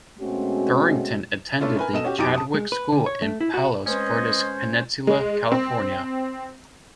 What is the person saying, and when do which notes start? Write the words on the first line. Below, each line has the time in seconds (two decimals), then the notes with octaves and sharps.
Thorrington attended the Chadwick School in Palos Verdes Peninsula, California.
0.21 B2 G#3 A3 C4 C#4 F#4
1.60 A3 C#4 D4 E4 F4
1.77 A#4 B4 G#5
1.93 B2 A4 D#5 E7
2.04 C#4 F#4 G4
2.18 B1 F#2 D#4 G4 D6 D7
2.34 A5 D#6
2.54 G#3
2.72 B4
2.92 D3
3.06 C#5
3.22 A3
3.41 E4
3.54 F#4
3.86 G#3 C4 C#4 B4 C5 D#5
5.07 G#3
5.52 C4